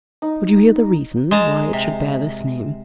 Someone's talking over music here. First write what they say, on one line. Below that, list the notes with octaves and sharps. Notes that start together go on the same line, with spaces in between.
Would you hear the reason why it should bear this name?
D#4
G#3 A5 A#5
C3